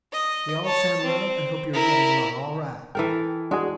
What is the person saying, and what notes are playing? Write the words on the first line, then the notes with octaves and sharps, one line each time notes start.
We all send love, and hope you are getting along all right.
D#5
C#5 A5
C4
E4 A#4
E3 A4 A#4 G5
G#3 D4 F#4 G#4